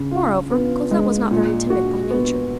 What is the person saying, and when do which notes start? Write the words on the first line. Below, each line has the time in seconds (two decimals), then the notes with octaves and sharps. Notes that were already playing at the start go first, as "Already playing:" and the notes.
Moreover, Cosette was not very timid by nature.
Already playing: C#3
0.11 F4
0.51 B3
0.91 G#3
1.31 A#2
1.70 F#4
2.11 B3